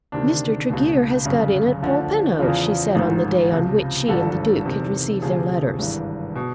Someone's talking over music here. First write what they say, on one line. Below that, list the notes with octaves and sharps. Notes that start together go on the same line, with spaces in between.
"Mr. Tregear has got in at Polpenno," she said on the day on which she and the Duke had received their letters.
D2 C3 D#3 D4
C#2 B2
G1 F#2 C#3
D2 D3 F3
E2 C#3 F3 F4
A1 G#2 D#3
C#2 C3 F3
G#1 G2 D3 F3 A4
E2 C3 D#3
D2 C3 F3 G#4
G#1 G2 E3
B2